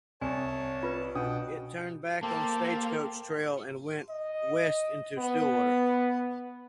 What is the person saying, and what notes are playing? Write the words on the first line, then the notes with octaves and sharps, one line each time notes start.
It turned back on Stagecoach Trail and went west into Stillwater.
C2 C#5 G#5 A5
F4 B4
B2 D4 F#5 G5 D#6
A#3 G4 A4 C5 A5
D#5
B3